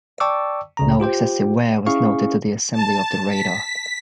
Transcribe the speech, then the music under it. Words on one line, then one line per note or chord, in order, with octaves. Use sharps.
No excessive wear was noted to the assembly of the Radar.
D5 G5 A5 C#6 D6 E6
C#2 C#3 A#5
F4 G4 C5 G5
C#4 E4 G#4 F5 C#6
A5
B6